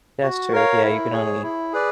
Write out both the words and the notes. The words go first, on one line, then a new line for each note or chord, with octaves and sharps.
That's true, yeah, you can only
F#4
A#4 C#5 F5
E4
G#4 C#5
E4
G#4 B4 D5